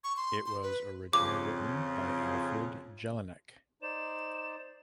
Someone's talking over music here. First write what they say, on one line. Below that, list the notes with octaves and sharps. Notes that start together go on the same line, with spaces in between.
It was originally written by Alfred Jellinek.
C#6
C6
C6
B4
F2 C#3 D6
D#4 C5 D5 E7